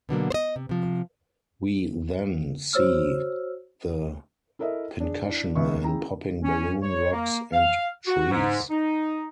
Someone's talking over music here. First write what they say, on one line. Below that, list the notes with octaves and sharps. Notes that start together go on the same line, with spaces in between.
We then see the Pincushion Man popping balloon rocks and trees.
B2 D3 F#3 A#3
C5 D#5
C3
C3 F3
F#4 C5 C#5 E6 F6
E4 A4 A#4 D#5 E5
D4 G#4
D4 E4
E1 C#2 G#4 E5 C#6
C#4 E4 G#4 G5 A#5
C#4
C#5
A#3
F5
F#4
G#2
D#4